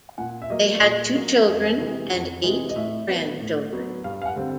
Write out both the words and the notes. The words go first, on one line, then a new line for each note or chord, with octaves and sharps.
They had two children and eight grandchildren.
A#2 F#5
E5
F#3 A#3 D#5
D5
A#2 D#5
F#3 A#3
F2
C3 E3 G#3
F2
C3 E3 G#3
D#5
A2 E5
F#3 B3
A2
F#3 B3
G2 F5
F5
F#5
D3 G3 C4